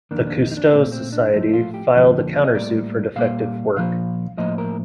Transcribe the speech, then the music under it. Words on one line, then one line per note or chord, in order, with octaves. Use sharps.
The Cousteau Society filed a counter-suit for defective work.
F2 D#3 A#3 D4
D4
D#4
D#4
D4
A#2 A3 C4
C4
D4
A2 F3 A3 D#4
F4
G4
F2 D3 F3 A#3
D#5
A2 G3 A#3 D5
A#2 G3 A#3 F5
A#2 F3 A#3 F5
A2 F3 A#3 D#5
A#4